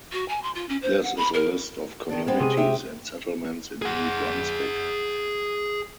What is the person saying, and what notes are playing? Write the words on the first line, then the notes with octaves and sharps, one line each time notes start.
This is a list of communities and settlements in New Brunswick.
F#4
G#5
C6
F4
C#4
C5
F#5
B5
A#4
D#3 D4
G#3 B3 C4
C3 G#4 D#7
G4 E5
G#4 F#5